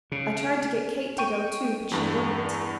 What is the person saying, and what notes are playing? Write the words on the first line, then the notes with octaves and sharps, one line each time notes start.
I tried to get Kate to go, too; but she wouldn't.
C#3
G5 C#6 D#7
E2 G2